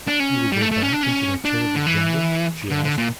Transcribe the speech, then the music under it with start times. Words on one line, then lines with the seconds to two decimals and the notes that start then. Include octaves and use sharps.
"You will go back into that terrible jungle?" she asked.
0.08 D4
0.20 C#4
0.52 G3
0.61 A3
0.71 A3
0.82 C#4
0.93 D4
1.03 C#4
1.45 D4
1.75 D3
1.87 E3
2.71 D3
2.84 D3
2.98 A#2